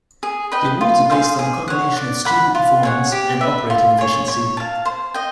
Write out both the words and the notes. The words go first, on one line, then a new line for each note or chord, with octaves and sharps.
The awards are based on a combination of student performance and operating efficiency.
G#4
B4 D#5 G5
F4
G#4 C5 F5
G#4
C#5 F#5
D5
F#5 B5
F4
G#4 C#5 F#5
G4
B4 E5
F4
G#4 C#5
C#5
F5 A5
C5
D#5 G5